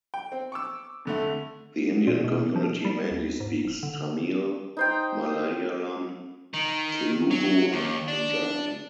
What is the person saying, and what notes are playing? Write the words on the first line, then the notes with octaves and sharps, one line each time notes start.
The Indian community mainly speaks Tamil, Malayalam, Telugu and Punjabi.
G5
C4
C#6 D6 E6
F2 D3 A3
A#2
B2
F3
G3
D#2
G#2
D#1
D3
D#4 C5 G5
D#3
F#3
D#2
D4